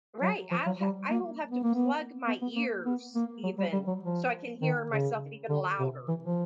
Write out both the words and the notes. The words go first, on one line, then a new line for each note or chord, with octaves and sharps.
Right, I'll ha I will have to plug my ears even, so I can hear myself even louder
F#3
F3
F#3
G3
A#3
B3
A#3
B3
B3
B3
A#3
B3
A#3
F#3
G3
G3
F#3
F3
D#3
C#3
D3
C3
E3
F3